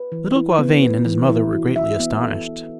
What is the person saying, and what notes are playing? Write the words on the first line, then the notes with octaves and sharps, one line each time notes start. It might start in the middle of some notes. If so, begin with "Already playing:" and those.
Little Gauvain and his mother were greatly astonished.
Already playing: B4
E3
E4
B3
B4
E3
E4
F#4
E5
B3
A4